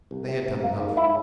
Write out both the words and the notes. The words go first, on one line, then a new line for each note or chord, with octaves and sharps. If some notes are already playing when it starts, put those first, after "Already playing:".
They had done enough.
C2
C3
C3
A#3
G#2
E4